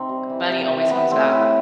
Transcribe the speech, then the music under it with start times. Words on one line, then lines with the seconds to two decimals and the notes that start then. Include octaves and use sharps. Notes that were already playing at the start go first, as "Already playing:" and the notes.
money always comes back?
Already playing: C3 C4 D#4
0.09 G3
0.30 E3
0.50 C3
0.70 C3
0.91 E3 B3
1.11 A2 C4
1.32 A2 E4